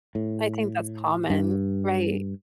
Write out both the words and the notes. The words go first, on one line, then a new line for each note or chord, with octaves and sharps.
I think that's common, right.
A2
G2